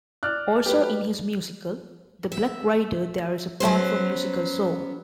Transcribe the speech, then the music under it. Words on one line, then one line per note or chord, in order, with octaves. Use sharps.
Also in his musical The Black Rider there is a part for musical saw.
D5 F6 F#6
F#3 A3 G4 B4
E5
F#3 B3 C#4 C5